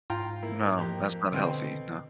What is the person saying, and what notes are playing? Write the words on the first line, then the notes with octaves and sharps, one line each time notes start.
No, that's not healthy, no.
G#2 F4 G5 A#5
A#3 E4
F2 A#3 G4
B2 D3 C4 G5